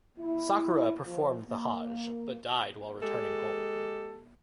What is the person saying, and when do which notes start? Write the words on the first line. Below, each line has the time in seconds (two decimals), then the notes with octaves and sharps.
Sakura performed the Hajj, but died while returning home.
0.19 E4
1.03 F3
1.48 A#3
3.02 G#3 G4 A4